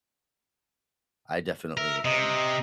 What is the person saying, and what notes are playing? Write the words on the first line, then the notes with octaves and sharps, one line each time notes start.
I definitely am,
A#4 E5
C3 D#5 A#5